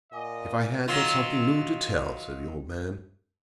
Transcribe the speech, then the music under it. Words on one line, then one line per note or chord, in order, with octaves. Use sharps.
"If I had but something new to tell," said the old man.
A#2 D#5 F#5 G#5 D6
D#3 F#3 F4